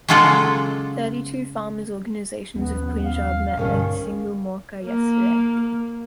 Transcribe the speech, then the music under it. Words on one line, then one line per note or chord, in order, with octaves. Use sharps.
Thirty-two farmers' organisations of Punjab met at Singhu Morcha yesterday.
C#3 F#3 G#3 F4 A4 D5
D#2 F3 B3 C#4
F5
B1 G2 D3 D#3 C#4
A#3